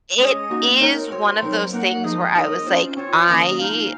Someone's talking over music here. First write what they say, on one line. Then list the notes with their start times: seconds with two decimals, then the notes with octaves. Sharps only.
it is one of those things where I was like, I
0.19 G#3 C#4 G#4 C#5 D#5
0.50 A#3 D#4 F#4
0.80 C4 D#4 F#4 A#4 C#5
1.12 C4 F#4 C5 C#5
1.42 F#3 C4 D#4 A#4
1.73 A#3 D#4 A#4 F#5
2.04 F3 G#3 D#4 G#4 D#5
2.36 C4 D#4 A#4 C#5
2.66 C#4 F4 C5
2.97 C4 F4 C5 C#5
3.27 D#3 A#3 C#4 D#5
3.59 F3 G#3 D#4 F5